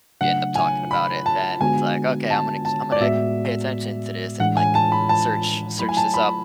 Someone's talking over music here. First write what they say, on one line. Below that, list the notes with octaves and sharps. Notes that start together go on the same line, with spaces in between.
you end up talking about it, then it's like, "Okay, I'm gonna k I'm gonna pay attention to this," and, like, search search this up
C#3 F#3 A3 D4 F#5
G#5
B5
A5
D3 G#3 B3 D4 F#4 G#5
A5
A5
D5
A2 G#3 B3 F#4 E5
A2 E3 G#3 D4 F#5
G#5
A5
B5
A5
F#3 A3 E4 B5
G#5
A5
B5